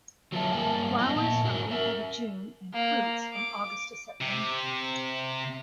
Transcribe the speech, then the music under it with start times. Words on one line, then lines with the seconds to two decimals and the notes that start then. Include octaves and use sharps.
It flowers from April to June and fruits from August to September.
0.32 F#3 F4 B4 E5 A5
0.52 G2 A#3 A#4 G#5 A5
0.99 B3 E4 D#5
1.16 A#2 A5
1.44 G#2 E4 F#4 A#4 G#5
1.71 A#4 E5
2.74 A#3
3.33 D6
4.21 C3